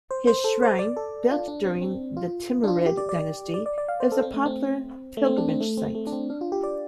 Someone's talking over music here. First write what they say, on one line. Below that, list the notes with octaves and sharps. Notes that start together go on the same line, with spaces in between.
His shrine, built during the Timurid Dynasty, is a popular pilgrimage site.
C5
C5
A4
C5
D5
A4
F4
D4
C4
C4
F4
D4
F4
G4
D5
D5
D5
D5
D5
F5
C5
A4
C4
A3
C4
A3
C4
D4
C4
A3
C4
A3
D4
C4
D4
F4
G4
D5